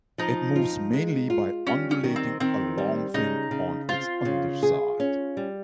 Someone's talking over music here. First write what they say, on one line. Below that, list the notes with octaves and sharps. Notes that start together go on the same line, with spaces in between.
It moves mainly by undulating a long fin on its underside.
F3 D#4
F4
G#3
F4
G3 C#4
C#4
D#3
C4
D#3 C4
G3
C#3 D#4
C#3
C4 F4
C#3
G#4
C#4
G3